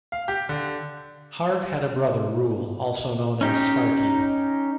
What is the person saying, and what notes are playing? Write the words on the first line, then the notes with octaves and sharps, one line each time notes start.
Harve had a brother, Ruel, also known as "Sparkie".
F5
G4
D3
C#4 D#4 G4